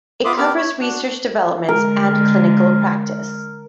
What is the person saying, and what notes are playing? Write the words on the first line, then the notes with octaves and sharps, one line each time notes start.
It covers research developments and clinical practice.
B3 F4 E5 C6 D6 D#6
B3 G4 A#4 B5 D6
C#5
D4 F#4
D3 G#3 A#4